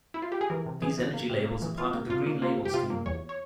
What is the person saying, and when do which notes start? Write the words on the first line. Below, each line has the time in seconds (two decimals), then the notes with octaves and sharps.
These energy labels are part of the Green Label Scheme.
0.14 E4
0.22 F4
0.32 G4
0.41 G#4
0.50 E3 A#4
0.66 C3
0.82 E3 G#4
0.98 E3
1.14 A#3
1.30 C3
1.46 A#3
1.62 E3
1.78 E3 F4
1.94 A#3
2.10 C3 F4
2.26 A#3
2.42 A#3 F4
2.58 C3
2.65 G4
2.74 C3 F4
2.90 A#3
3.06 E2 C#5
3.29 C#5